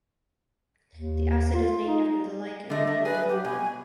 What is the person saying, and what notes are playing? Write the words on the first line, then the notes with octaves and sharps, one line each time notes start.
The acid is named after the lichen "Lecanora".
D#2
F4
D#4
D3 A3 D#5
A3
G#4 B4
G4
B2 G#5